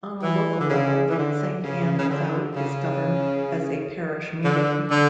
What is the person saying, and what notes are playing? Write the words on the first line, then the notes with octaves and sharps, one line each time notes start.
On a local level, Saint Ann Without is governed as a Parish meeting.
E3
D3
C#3
E3
D3
C#3
C#3
D3
C#3
D3
D3